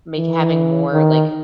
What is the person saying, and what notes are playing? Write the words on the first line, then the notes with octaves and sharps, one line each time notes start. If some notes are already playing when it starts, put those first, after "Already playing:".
m make having more, like,
E3
D#3